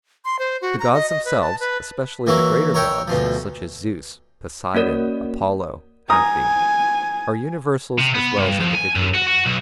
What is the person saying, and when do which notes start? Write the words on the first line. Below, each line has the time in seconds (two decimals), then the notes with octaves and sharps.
The Gods themselves, especially the greater Gods, such as Zeus, Poseidon, Apollo, Athene, are universals as well as individuals.
0.25 C6
0.39 C5
0.61 F#4
0.79 A#5
0.94 D#5
1.09 D#5
1.25 B4
1.41 A5
1.60 B4
2.27 E3 F#3 A#3 E4 F#4
2.74 A#4 C#5 E5 F#5 G5
3.08 D2 B2 F3
4.74 A#3 C#4 F#4 A#4 C#5 D5
6.10 G#5 A#5 D#6
7.98 C3
8.14 B3
8.37 G2
8.60 F2
8.74 G#5
8.95 F#2
9.15 F#4
9.28 F#4
9.46 B1